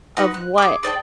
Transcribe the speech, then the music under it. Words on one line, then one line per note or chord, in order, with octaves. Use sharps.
of what
D#4 F#4 B4
F#6
G#4 D6
G#4 D5 G5 A5